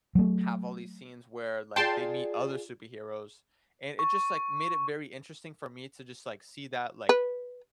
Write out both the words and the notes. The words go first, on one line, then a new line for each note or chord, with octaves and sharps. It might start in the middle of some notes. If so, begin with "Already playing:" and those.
have all these scenes where, like, they meet other superheroes, and it just, like, made it very interesting for me to just, like, see that, like,
F#3 A3
F4 G#4 D5 G5 A5 C6
C#6
B4